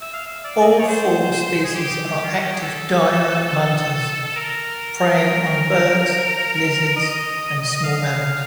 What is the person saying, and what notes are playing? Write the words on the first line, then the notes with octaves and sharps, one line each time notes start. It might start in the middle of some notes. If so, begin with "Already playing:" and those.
All four species are active diurnal hunters, preying on birds, lizards, and small mammals.
E5
F5
E5
D5
D#5
D5
C#5
C5
G#4
G4
F4
F#4
G4
G#4
A4
A#4
D#5
F5